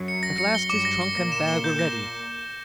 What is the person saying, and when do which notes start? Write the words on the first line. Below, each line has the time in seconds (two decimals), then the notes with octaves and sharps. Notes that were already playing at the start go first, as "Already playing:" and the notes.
At last his trunk and bag were ready.
Already playing: F#2 F#3
0.08 C#7
0.23 A#6
0.38 C#7
0.55 G7
0.70 G2 G3 D6
0.85 A#6
1.01 C#7
1.17 A#2 A#3 A#6
1.32 E7
1.47 G7
1.64 G6
1.79 A#6